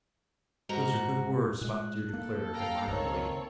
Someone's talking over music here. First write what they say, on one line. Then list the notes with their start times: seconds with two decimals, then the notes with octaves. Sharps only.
"Those are good words," Spotted Deer declared, admiringly.
0.69 G#2 F#4 A#5
1.61 A#2 G#3 F#6
2.14 A#3 A4
2.55 F5 G5 A#5
2.88 D1 C#2 D#3 A#3 C4 C#5